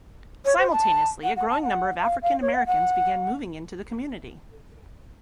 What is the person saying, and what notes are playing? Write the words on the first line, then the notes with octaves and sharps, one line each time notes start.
Simultaneously, a growing number of African Americans began moving into the community.
C#5
C5
A5
F#5
F#5
A5
F#5
F5
F5
C#5
F#5
F#5